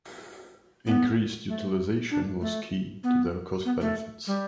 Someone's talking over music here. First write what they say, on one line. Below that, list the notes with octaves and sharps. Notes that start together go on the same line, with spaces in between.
Increased utilization was key to their cost benefits.
B3
A3
D4
A3
B3
B3
A3
G3